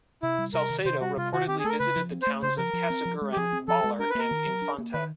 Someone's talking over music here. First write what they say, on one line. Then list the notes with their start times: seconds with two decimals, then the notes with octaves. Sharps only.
Salcedo reportedly visited the towns of Casiguran, Baler and Infanta.
0.23 C3 E4
0.38 G3
0.54 C3 A#4
0.70 D#3
0.85 C3 C5
1.01 G3 F#4
1.17 C3 F4
1.33 D#3 F#4
1.48 C4 G4
1.59 G#4
1.64 A3 A4
1.69 A#4
1.79 C#3 B4
1.96 F3
2.11 C4
2.22 C5
2.27 A3
2.42 C#3 C5
2.58 F3 A#4
2.73 F3
2.90 C4
3.05 F3
3.21 G#3
3.32 G4
3.36 F3 G#4
3.52 C4
3.68 F3 A4
3.84 G#3
3.99 D4 A#4
4.10 B4
4.15 A#3 A#4
4.31 D#3
4.46 F#3
4.62 D4
4.78 A#3
4.93 D#3 B4